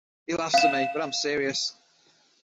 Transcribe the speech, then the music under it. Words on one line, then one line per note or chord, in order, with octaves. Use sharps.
He laughs at me - but I'm serious.
F5 E7